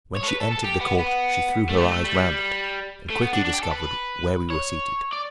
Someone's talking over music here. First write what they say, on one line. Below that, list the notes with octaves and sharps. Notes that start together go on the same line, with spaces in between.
When she entered the court she threw her eyes round it and quickly discovered where we were seated.
C#5
A4
B4
A4
A4
G4
B3
B3
A3
G3
A3
A3
G3
A3
B3
D4
D4
G4
A4
B4
C#5
D5